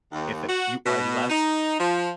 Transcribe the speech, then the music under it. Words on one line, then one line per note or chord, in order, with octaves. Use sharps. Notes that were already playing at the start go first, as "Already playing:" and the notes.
if i you are less
D#2
F#4
B2
D#4
F3